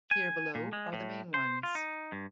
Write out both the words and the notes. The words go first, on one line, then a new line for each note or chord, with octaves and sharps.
Here below are the main ones.
G#5
A#2
G#3
A2
C5
F4
D#4
G2